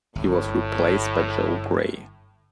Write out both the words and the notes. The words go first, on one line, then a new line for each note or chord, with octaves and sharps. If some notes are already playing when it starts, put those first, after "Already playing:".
He was replaced by Joel Grey.
G1 A2